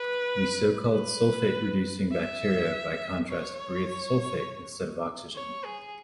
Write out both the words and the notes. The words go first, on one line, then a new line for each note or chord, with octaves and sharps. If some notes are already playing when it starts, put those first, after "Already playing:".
The so-called sulfate-reducing bacteria, by contrast, "breathe sulfate" instead of oxygen.
Already playing: B4
B4
E5
C#5
C#5
G#4